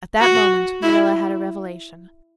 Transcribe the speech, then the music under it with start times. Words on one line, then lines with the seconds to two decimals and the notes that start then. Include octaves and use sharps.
At that moment Marilla had a revelation.
0.20 F#4
0.82 E4